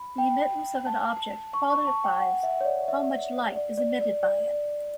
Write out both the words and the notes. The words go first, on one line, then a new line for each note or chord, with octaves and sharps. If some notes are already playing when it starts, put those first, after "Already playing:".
The emittance of an object quantifies how much light is emitted by it.
Already playing: B5
G5
A5
C#6
C#6
A5
G5
F#5
E5
C#5
D5
E5
D5
D5
D5
D5